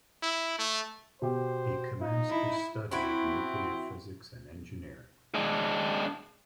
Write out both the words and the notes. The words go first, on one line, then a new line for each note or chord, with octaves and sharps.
He commenced his study of nuclear physics and engineering.
E4
A3
B2 G4 C5
D#4 F4
E4
C4 E4 F#4
G#3 D4